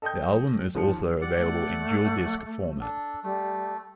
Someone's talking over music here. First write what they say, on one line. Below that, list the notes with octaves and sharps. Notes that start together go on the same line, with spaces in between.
The album is also available in DualDisc format.
A4 D#5 G5 D#6 G6
D#2 F3 C#7
G3 D5 F#5
A3
D4 A4
G3 A3